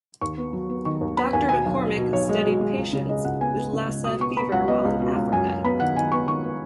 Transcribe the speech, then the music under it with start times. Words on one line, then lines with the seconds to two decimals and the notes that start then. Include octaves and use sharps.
Doctor McCormick studied patients with Lassa Fever while in Africa.
0.21 D#2 C#6
0.38 B3
0.53 F#3
0.70 B3
0.85 D#3 C#6
1.01 D#2
1.17 B3 B5
1.33 D#2 G#5
1.49 B2 G#5
1.66 B1
1.81 B2
1.97 B2
2.13 B1 C#5
2.29 G#3 D#5
2.45 B2
2.61 G#3
2.77 C#2
2.93 C#3
3.09 G#3 D#5
3.25 C#2 F#5
3.41 B3 G#5
3.57 B3
3.73 C#3
3.89 C#2
4.04 B2 D#6
4.20 B3 C#6
4.37 B3 B5
4.52 C#2 F#5
4.68 B3 D#5
4.85 C#2
5.00 B2
5.16 C#2
5.32 F#2 G#5
5.48 F#2
5.64 B3 B5
5.80 D#3 F#5
5.96 D#3 G#5
6.12 B3 C#6
6.27 D#3 C#6
6.44 B3